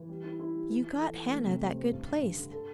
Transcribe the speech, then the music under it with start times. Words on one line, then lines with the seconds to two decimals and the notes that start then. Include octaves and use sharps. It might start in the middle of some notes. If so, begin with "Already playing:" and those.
You got Hannah that good place.
Already playing: E3
0.09 G3
0.24 E4
0.39 E4
0.54 G3
0.69 E3
0.84 E3
1.00 A4
1.15 E3
1.30 A3
1.45 C3
1.61 C5
1.75 C5
1.91 G2
2.06 D3
2.22 G2
2.37 D3
2.52 A4